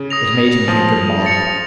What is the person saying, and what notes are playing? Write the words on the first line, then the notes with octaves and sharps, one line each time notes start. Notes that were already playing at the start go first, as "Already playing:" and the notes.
It made him think of Maudie.
Already playing: C#3
D#6 A#6 F7
F3
A6 C#7 F7